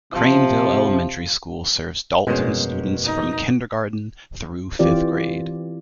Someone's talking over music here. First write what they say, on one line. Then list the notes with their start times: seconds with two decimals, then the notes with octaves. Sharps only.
Craneville Elementary School serves Dalton students from kindergarten through fifth grade.
0.13 C3 F3
2.27 F1 G2 B2 G#3 A#3 C#4 C5
3.04 D#4
4.79 E3 C4 F4 G4 D5